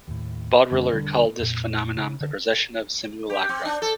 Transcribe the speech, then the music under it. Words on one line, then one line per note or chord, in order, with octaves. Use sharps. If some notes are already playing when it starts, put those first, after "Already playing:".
Baudrillard called this phenomenon the "precession of simulacra".
D#2 A2
F#2 D3 G#3 C#4
E1 D3 G3 D4
F2 A#2
C#3
D3
G4
C4
D4
A4